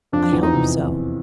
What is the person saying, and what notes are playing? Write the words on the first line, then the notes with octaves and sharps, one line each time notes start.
"I hope so."
F2 F3 D4
E2 E3
D#4
C3